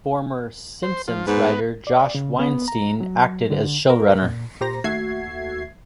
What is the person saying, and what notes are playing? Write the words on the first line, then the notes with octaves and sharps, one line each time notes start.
Former "Simpsons" writer Josh Weinstein acted as showrunner.
C5
F3
G#2 B3
D5
C#3
B3
A#5
F#3
D3
A#4
A#2
A#2 G4 C5 A#5 A#6
D#2 A3 F#4 E5 G#6 C7